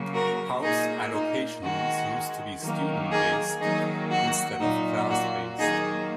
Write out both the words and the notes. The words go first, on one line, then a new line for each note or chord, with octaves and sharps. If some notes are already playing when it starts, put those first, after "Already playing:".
House allocations used to be student-based, instead of class-based.
Already playing: C#3 F#3 A#3
F#4 A#4
A#2 A#3 D#4 G#4
D#4
D#3 G#3 F#4
D#3 F#3 A#3
D#4 G#4
D#3 F#3 A#3 D#4 G#4
F#4
A#2 F#3 A#3 D#4
F#4
D#3 F#3 A#3 D#4 G#4